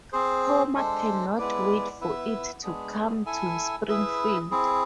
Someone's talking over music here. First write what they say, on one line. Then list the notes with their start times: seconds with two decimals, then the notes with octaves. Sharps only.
Homer cannot wait for it to come to Springfield.
0.12 C4 G#4 C5
0.75 G#3 D4 A4 C5
1.38 G#3 B3 E4 B4 D5
2.00 B3 E4 B4 E5
2.63 G#3 B3 D4 G#4
3.26 E4 A4 E5 G#5
3.88 E4 G#4 B4 E5
4.51 C4 E4 G#4